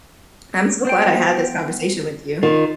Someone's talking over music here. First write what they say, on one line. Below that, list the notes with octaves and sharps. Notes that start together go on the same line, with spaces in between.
I'm so glad I had this conversation with you.
B3 C5 G5
D#3 F4